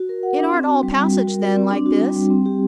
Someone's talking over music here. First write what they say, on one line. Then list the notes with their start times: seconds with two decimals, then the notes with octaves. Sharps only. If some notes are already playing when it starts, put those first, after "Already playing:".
"It aren't all passage, then, like this?"
Already playing: F#4
0.09 A#4
0.23 F#5
0.39 D4
0.53 C4
0.67 F#4
0.83 G3
0.97 G3
1.13 F#4
1.28 A#4
1.42 D5
1.57 C4
1.71 D4
1.86 F#4
2.01 G3
2.16 G3
2.30 C4
2.46 G4